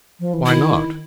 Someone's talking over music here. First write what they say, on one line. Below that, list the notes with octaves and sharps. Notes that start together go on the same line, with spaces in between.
Why not?
F3
E3
D#3 E4
D#3